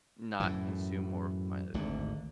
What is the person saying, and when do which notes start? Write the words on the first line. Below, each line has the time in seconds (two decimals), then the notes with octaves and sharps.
not consume more of my
0.40 F#2 A2 E3
1.74 G#1 D2 G#2 D3